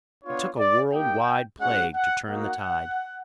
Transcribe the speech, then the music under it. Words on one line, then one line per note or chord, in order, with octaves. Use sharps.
It took a world-wide plague to turn the tide.
B3 D4 F4 C#5
D5
A#3 D#4 G4 G5
G#3 C#4 F#4 F#5
F#5
A#3 D#4 F#4 F#5